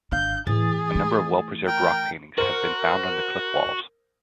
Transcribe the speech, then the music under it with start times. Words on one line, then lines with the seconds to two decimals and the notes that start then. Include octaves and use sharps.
A number of well-preserved rock-paintings have been found on the cliff walls.
0.12 G#1 D4 F5 G6
0.47 A2 E3 G#4 A6
0.95 A3
1.67 A#4 G5
2.38 F#4 A#4 C5 C#7